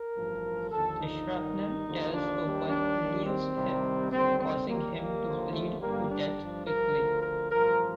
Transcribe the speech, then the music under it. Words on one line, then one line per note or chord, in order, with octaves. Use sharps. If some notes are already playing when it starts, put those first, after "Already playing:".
The shrapnel tears open Leer's hip, causing him to bleed to death quickly.
Already playing: A#4
A1 G2 F3
D#2 D3 F3 A4
D#4
G2 D#3 G3
D#2 D3 F3
D4
D#2 D#3 G3
D4
D#2 D#3 G3
C4
C2 C3 D#3 G3
D#2 D3 G3 C4
C4
D#2 D#3 G3 A#3
A#3
D#2 D3 F3
A3
G2 D3 G3 A#3
D4
G2 F3
A#4
D2 D3 F3
A#4
A1 G2 F3 A#4